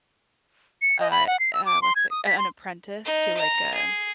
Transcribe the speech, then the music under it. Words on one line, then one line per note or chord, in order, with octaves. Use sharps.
Uh uh, what's it a an apprentice to, like, a
C#7
D#5
B5
F#5
C7
E6
D6
C6
G#6
D#6
B6
C6
D#4
A#5
G#4